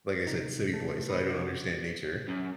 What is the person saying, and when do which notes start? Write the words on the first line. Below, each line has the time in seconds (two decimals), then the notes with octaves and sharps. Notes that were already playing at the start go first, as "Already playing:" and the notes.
Like I said, city boy, so I don't understand nature.
0.27 C3 D#4
0.74 A3
1.08 A#4 B4
1.30 B1 D4 F#4
2.28 F#2